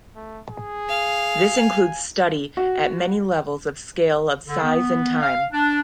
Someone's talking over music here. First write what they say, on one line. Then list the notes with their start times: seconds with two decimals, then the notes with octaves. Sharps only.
This includes study at many levels of scale of size and time.
0.16 A3
0.51 G#4
0.88 F5
1.57 G#5
2.57 F#4
4.47 D3
4.64 B3
5.20 F5
5.52 D4